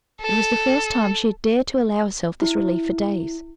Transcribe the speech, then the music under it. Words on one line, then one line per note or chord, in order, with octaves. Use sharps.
It was the first time she had dared to allow herself this relief for days.
A4
E4